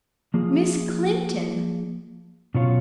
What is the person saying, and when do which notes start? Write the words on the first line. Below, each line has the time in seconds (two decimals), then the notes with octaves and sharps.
Miss Clinton!
0.34 F3 A#3 F4 G#4
2.54 B2 F#3 C#4 F4 C#5 F5